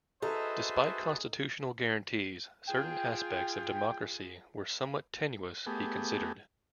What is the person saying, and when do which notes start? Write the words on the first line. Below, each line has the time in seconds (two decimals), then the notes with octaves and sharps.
Despite constitutional guarantees, certain aspects of democracy were somewhat tenuous, he considered.
0.22 D#4 F#4 G#4 A4 B4 C5 E5 A5
2.67 F4 G#4 G5
5.66 A3 B3 G4 G#4